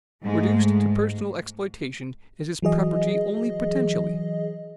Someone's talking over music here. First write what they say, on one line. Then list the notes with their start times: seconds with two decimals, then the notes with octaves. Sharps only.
Reduced to personal exploitation, it is property only potentially.
0.23 G#2 G#3 A3
2.62 E3 F#3 G#4 D#5